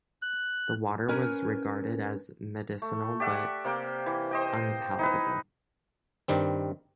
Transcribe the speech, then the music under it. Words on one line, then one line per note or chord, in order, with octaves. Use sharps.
The water was regarded as medicinal but unpalatable.
F#6
C#4 A#4 B4 C#5 G#5
A3
G4 D5 E5 F#5
C3 A#3 G5
E3
C5 D#5 G5
D#4 E4 B4
G2 D#3 G3 C4